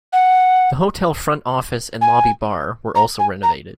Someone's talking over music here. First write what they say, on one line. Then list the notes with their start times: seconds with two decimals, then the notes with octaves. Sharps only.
The hotel front office and lobby bar were also renovated.
0.13 F#5
2.01 G#5
2.95 A#5
3.19 G#5
3.43 A#5